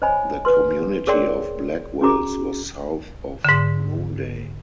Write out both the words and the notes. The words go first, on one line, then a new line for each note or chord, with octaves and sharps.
The community of Blackwells was south of Noonday.
C5 C#5 D#5 G#5 B5
B4 C6
G#4 A#4 C#5 D5 G5 C6
C#4 F#4 G#4 A#5 D6
G#2 D3